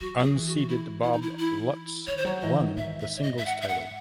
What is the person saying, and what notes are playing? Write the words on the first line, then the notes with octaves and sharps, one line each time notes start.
Unseeded Bob Lutz won the singles title.
F#3 F#4
F#4
G#4
E3
F#4
F#4
E4
E4
D#4
E4
E4
D#3 C#5
C5
F#3 C#5
E3 D#5
D#3
G#2 E5
E5
C#5
D#5
E5
F#5
E5
F#5